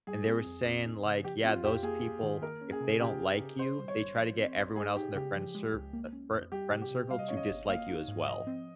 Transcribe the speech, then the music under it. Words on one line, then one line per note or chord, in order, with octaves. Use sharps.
and they were saying, like, yeah, those people, if they don't like you, they try to get everyone else in their friend cir uh, fri friend circle to dislike you as well.
G3 G#4
C4
F2
C4
D#4
C#3
F3 G4
C4 F4
F2 G4
A#3 G#4
F4
D#3
A#3 A#4
C#4
G#4
C3
C#4 G4
G#4
C#3
D#3 C5
G3
C#5
G1
F3
C4
A#1
G#3 G#4
D#4 G4
C#3 G4
F3
G#3
C#2
A#3
C#4
F2
G3 G4
C3
G4
C3
G3 F5
D#5
C#4 C#5
D#5
G1
A#3 F5
D#4
G#2
F3 D#5
C4